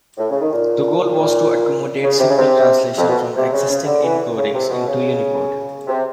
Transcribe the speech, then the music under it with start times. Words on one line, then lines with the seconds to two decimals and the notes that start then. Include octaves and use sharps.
The goal was to accommodate simple translation from existing encodings into Unicode.
0.18 A2
0.30 C#3
0.40 D#3
0.52 A#2
1.18 A#2
2.02 C#3
2.19 C3
2.29 C#3
2.37 C3
2.97 F2
3.09 B2
3.37 C3
3.53 C#3
3.69 C#3
3.86 D3
4.04 E3
4.36 C#3
4.54 C3
4.70 B2
4.87 C#3
5.87 C3